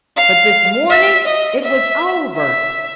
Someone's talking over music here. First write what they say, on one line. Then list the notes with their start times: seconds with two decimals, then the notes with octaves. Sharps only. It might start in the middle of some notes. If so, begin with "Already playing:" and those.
But this morning it was over.
0.17 F5
0.91 E5
1.27 D#5
1.64 E5
2.37 E5